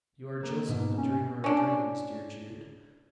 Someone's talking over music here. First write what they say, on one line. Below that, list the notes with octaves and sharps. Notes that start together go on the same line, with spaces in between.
You are Joseph the dreamer of dreams, dear Jude.
A#3 C4
G#2 B2
C#4
C#4 D4